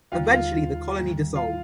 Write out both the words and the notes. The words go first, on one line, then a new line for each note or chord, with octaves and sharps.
Eventually the Colony dissolved.
D#2 D3 G3 A#3 F4 F5
F4 F5
G#2 D#3 G3 A#3
F4 F5